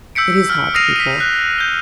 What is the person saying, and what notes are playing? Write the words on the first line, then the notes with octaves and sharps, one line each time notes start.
It is hard to be poor.
E6 G6 B6 C#7 D7
F6
D#6 F6 A#6 C7 D#7 F7
B6 D#7
F#6
G6 G7